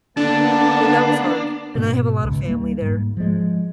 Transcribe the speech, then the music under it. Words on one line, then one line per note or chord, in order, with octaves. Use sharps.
yeah, that was hard. And I have a lot of family there.
D3 A#3 B3 D4 A5
G#2 B2 B3
C#2
G3 A#3
G#2 A#3
F3 G#3